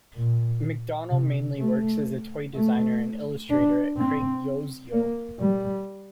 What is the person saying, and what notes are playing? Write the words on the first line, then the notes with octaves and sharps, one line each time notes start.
McDonnell mainly works as a toy designer and illustrator at Craig Yoe's Yoe!
A#2
C3
A3
A3
D4
C4
A#3
G3